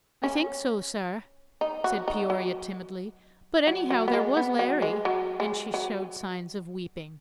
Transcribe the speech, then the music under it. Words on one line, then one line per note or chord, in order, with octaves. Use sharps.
"I think so, sir," said Peoria, timidly; "but, anyhow, there was Larry;" and she showed signs of weeping.
C#4
D#4
F#4
D#4
F#3
F#3
F#3
B3
G#3
B3
F#3
G#3
F#3
G#3
F#3